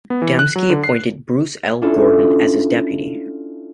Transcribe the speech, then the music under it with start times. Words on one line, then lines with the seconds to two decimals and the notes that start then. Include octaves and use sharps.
Dembski appointed Bruce L. Gordon as his deputy.
0.10 B3
0.22 E3
0.39 F#6
0.56 F#3
0.70 D3
0.84 C7
1.82 C#4 D4 E4 F4 A4